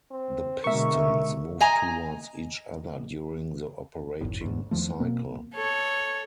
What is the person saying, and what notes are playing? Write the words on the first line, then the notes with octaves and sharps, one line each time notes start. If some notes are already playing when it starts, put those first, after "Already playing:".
The pistons moved towards each other during the operating cycle.
C4
B2 D3 G#3 A#4 E5 C#6
D#5 G#5 A#5
D#1 G#1 F#2 A2
D2 G#2
E2 D#3 F3 A3
B2 A#3 C4
A4 C#5